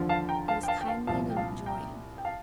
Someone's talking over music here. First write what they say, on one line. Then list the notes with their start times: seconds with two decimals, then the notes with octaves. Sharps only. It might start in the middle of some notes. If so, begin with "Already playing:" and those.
He was kindly and enjoying.
Already playing: D#2 D3 F3
0.09 F5 A5
0.29 G5 A#5
0.48 F5 A5
0.63 G5
0.68 F5 A5
0.81 G5
0.87 F5 A5
1.07 C2 A#2 F3 F5 A5
1.30 G5
1.37 F5 A5
1.66 G5 A#5
2.18 G5
2.25 F5 A5